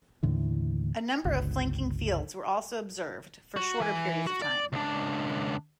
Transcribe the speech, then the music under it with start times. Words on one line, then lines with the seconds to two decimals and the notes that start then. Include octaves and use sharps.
A number of flanking fields were also observed for shorter periods of time.
0.23 D#2 A2 D3 E3
1.25 G1 C#2
3.56 F#4
3.80 E3 G#5
4.27 F#4
4.42 D5
4.73 C#2 D4